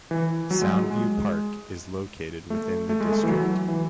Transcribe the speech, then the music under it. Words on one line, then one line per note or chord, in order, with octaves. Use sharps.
Soundview Park is located within the district.
E3
F#3
G#3
F#3
G#3
A3
A3
G#3
A3
E3
F#3
E3